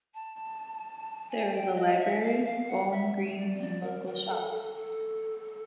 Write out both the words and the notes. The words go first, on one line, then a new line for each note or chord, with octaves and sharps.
There is a library, bowling green and local shops.
A5
G#5
G5
D#5
E5
F5
F5
F#5
E5
D5
D5
A#4
A#4
A4
A4
A4